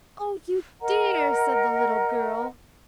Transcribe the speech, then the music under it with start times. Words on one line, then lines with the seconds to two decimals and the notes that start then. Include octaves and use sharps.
"Oh, you dear!" said the little girl.
0.81 A#4 D#5 F#5 A#5